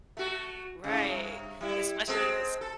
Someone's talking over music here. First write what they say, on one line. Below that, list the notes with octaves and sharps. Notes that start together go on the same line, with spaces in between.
Right, especially if it's
A3 F#4
G#2 C#3
G2
G3 E4
G#3 C4 A4
A4